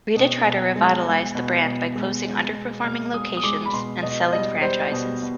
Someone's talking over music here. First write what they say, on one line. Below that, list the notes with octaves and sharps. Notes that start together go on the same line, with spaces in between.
Rita tried to revitalize the brand by closing under-performing locations and selling franchises.
B2
B2
G#3
G#3
B2
B2
G#3
G#3
B2
B2 F6
G#3 D#6
D#6
G#3 D6
B5
B2 C6
B2 D#5
G3 D#5
G3 C5
B2
B2